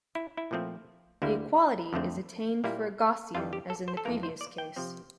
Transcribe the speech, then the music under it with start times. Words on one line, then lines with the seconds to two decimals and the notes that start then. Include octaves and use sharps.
The equality is attained for a Gaussian, as in the previous case.
0.15 E4
0.37 E4
0.51 A#2 F3 A3 C4
1.22 D2 D3 G3 A#3 E4
1.93 F2 D3 A3 C4
2.64 A#2 G3 A#3 E4
3.35 F2 E3 G3 F4
3.53 G4
3.70 A4
3.88 C5
3.97 A4
4.05 F2 E3 A#3 A#4
4.23 C5
4.41 D5
4.58 G5
4.76 C3 F3 C4